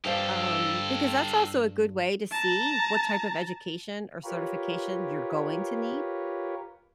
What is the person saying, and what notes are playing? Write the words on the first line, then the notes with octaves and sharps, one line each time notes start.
Um, because that's also a good way to see, what type of education or certification you're going to need.
G2 G4 A4 C5 F5
A5 A#5
F4 G4 A#4 B4 C#5